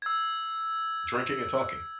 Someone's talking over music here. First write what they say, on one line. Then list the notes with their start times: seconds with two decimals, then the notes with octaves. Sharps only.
Drinking and talking.
0.02 E6 G#6